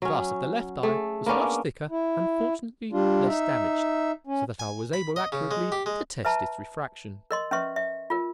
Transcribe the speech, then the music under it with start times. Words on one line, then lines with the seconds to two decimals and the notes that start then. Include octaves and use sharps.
The glass of the left eye was much thicker and fortunately less damaged, so that I was able accurately to test its refraction.
0.02 F#3 C#4
0.83 A3 G#4
1.26 A#3 B3 C#4 D4
1.91 E4
2.93 G3 D4 F4
3.28 D#4 E5
4.27 C#4
4.59 G#5
4.93 B5
5.16 D#5
5.32 C#3
5.51 G#3
5.72 G4
5.86 G#3
6.25 B4 E5 A5 A#5
7.31 A#4 D#5 C6
7.51 C#4 B4 E5 C#6
7.76 E5
8.10 F4 A#4